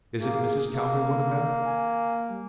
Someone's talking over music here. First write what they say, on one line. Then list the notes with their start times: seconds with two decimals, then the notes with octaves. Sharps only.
"Isn't Mrs. Cowperwood about?"
0.20 A#3 G#4
0.72 C3 A#3
1.64 G#5
2.29 G3